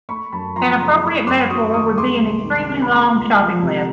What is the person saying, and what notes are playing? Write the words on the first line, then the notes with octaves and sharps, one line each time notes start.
An appropriate metaphor would be an extremely long shopping list.
A3 B5 C#6
F#2 A5 B5
F3 A#5 C6
C#3 A#5 C6
A3 B5 C#6
F#2 C6 D6
F#3 C#6 D#6
D#3 C#6 D#6
G#3 C6 D6
C2
D#3
C3
B5
A3 A#5 C6
C#2
F3
C3